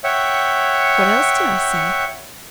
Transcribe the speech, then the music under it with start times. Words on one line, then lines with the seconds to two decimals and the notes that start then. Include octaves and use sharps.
'What else did I say?
0.04 C#5 E5 F#5 G5